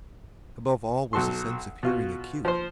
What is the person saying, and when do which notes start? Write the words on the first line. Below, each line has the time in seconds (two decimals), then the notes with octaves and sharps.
Above all was the sense of hearing acute.
1.13 B1 F#4 A4 C6
1.83 B2 F4 F#4
2.45 F3 C5